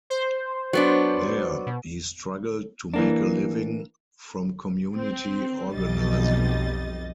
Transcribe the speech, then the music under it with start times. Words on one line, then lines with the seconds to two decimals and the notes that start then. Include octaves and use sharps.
There, he struggled to make a living from community organizing.
0.10 C5
0.73 F#3 B3 D4
1.66 B2
2.94 E3 A#3 D4
4.95 C4
5.73 B1 F2 G3 D#5 A6